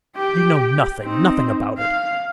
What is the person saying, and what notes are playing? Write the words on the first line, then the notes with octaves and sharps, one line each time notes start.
You know nothing, nothing about it....
G4 G5
C4 D#4
F5